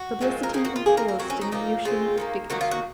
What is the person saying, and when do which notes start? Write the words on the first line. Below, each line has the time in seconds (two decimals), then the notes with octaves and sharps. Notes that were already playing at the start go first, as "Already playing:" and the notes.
Publicity entails diminution of dignity.
Already playing: F#4
0.21 A#2 F3 G#3 C4
0.43 A#4
0.53 D#3 G#4
0.58 A#3
0.65 F#4
0.76 F4
0.86 D#3 A#3 G#4
0.97 A#4
1.08 A#4
1.19 D#3 F#3 C4 F#4
1.30 C#4
1.41 D#4
1.52 A#2 F3 A#3 D#4
1.85 C#3 G#3 C4 F4
2.18 D#3 F#3 A#3
2.50 D#3 F#3 A#3 F#4
2.61 F4
2.71 F#4